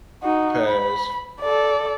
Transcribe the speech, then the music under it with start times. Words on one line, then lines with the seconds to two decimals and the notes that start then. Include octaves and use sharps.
the past
0.23 D#4 F#4
0.68 B5
1.41 A4 D5